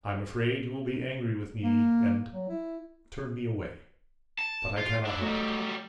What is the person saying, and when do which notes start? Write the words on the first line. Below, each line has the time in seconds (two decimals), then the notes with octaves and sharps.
I am afraid you will be angry with me, and--turn me away; but I cannot help it.'
1.63 A#3
2.33 F#3
2.48 E4
4.38 A5
4.78 F4
5.05 D4 E4
5.22 F#3 G3 A3